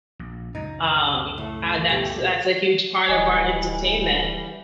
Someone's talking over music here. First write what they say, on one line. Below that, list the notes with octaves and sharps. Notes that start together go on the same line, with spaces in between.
um, uh, that's that's a huge part of our entertainment,
A#1
C#2 F#2 D#4
A2 A3
B1 B2 G4
D1 E3 G3 D#5 G#5